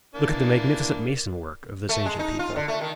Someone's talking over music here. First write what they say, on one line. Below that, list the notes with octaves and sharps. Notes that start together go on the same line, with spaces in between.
Look at the magnificent mason-work of this ancient people!
E3 A#3 D4
A3
G#3
D#4
F4
D3
A3
D#3